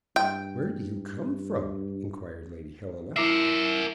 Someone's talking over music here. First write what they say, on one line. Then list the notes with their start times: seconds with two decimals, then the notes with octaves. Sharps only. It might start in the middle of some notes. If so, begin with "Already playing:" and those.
"Where do you come from?" inquired Lady Helena.
0.16 G2 G5
3.16 E4 A#4 E5 D6 C7